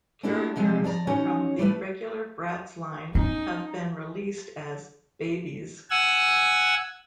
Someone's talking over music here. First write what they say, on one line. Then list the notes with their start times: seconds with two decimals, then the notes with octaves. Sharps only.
Characters from the regular Bratz line have been released as Babyz.
0.23 A3 A#3 D4 E4 F#4 G4
0.56 C3 F3 F#3 G#3 C4 D#4
0.84 F3 D5 A#5
1.07 E3 C#4 D#4 F#4 C#5
1.59 G3 A3 B4
3.15 C#4 D#4
5.90 F#5 G#5 E6